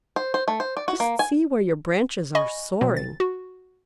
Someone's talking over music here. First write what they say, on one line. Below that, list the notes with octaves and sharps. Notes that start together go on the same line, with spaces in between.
Just see where your branches are soaring.
C5
C5
A3
C5
D5
F#4
A#3
G#5
D#5 G#5 B5 C#6
B2 F#3 C4
A6
F#4